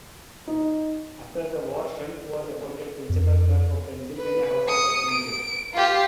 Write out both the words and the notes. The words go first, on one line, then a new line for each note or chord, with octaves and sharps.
After the war Shunk was appointed Principal Clerk of the Pennsylvania House of Representatives.
D#4
F2
B4
D#6 C#7
D7
F4 G4